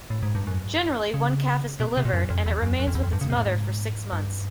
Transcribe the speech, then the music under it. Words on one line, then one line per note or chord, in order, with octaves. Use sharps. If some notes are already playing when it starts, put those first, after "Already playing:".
Generally one calf is delivered, and it remains with its mother for six months.
A2
G#2
G2
F#2
C#3
B2
C3
A#2
F#2
F2
E2
F#2
F#2
F2
E2
F2
G2
C#3
C3
A2
G#2
G2